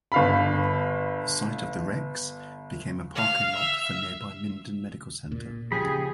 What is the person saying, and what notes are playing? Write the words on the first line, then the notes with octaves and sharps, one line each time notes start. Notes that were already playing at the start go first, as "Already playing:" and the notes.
The site of the Rex became a parking lot for nearby Minden Medical Center.
G1 F5 B5
F5
E5
A#2
C#3 F3 G4 G#4 B5